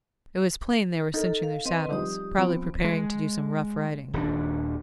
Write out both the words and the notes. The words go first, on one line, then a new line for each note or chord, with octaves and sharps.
It was plain they were cinching their saddles, probably preparing to do some rough riding.
D#4 A4 A#4
F5
C4 B4 D#5 C6
F3 G3 D#4 G4 D#6
F3 B3 C4
G#3
D#1 D#2 D4